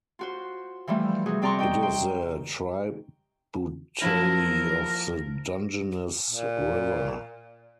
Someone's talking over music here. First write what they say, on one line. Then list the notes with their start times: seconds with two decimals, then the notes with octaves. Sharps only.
It is a tributary of the Dungeness River.
0.19 F4 F#4 C5
0.87 E3 F3 G3 A3
1.26 C3 G3 F#4 G#4
1.42 C3 C4 D5 A#5 C6 C#6
1.59 D#5 G5
1.82 C5 G5
4.02 F3 A#3 E4 A#4
6.30 A#2